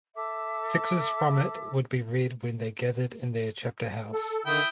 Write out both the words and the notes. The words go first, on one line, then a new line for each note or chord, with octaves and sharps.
Sections from it would be read when they gathered in their chapter house.
A4 E5 D6
A4
D3 D#3 E4 G5 D#6